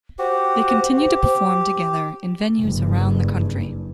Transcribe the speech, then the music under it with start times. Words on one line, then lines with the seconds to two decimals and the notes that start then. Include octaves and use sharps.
They continue to perform together in venues around the country.
0.19 F#4 G4 C5
0.97 G4
2.60 F#1 G2